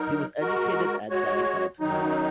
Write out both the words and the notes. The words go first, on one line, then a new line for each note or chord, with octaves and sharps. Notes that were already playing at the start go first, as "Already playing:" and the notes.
He was educated at Downside School.
Already playing: F#3 D#4 A#4
G#3 F#4 A#4
G#3 F#4 C#5
F#2 D#3 F#3 D#4